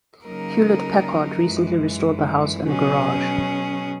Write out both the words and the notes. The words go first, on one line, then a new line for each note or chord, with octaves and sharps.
Hewlett Packard recently restored the house and garage.
C#3 F#3 A#3 D#4 A#4
F#2 E3 G#3
B2 F#3 C#4 G#4